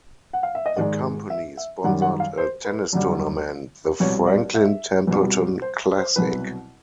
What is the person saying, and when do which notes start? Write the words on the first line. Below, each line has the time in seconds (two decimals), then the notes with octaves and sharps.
The company sponsored a tennis tournament, the Franklin Templeton Classic.
0.33 F#5
0.43 F5
0.55 E5
0.66 D#5
0.77 G#2 D#3 G#3 D5
1.30 E5
1.57 E5
1.84 F#2 D#3 G3 F#5
2.02 F#5
2.20 F5
2.38 C5
2.65 B4
2.93 F#2 D3 G3
4.00 C2 B2 G3 C#5
4.27 D5
4.54 E5
5.07 C2 B2 G3
5.62 C5
5.98 C5
6.16 C2 B2 F#3 B4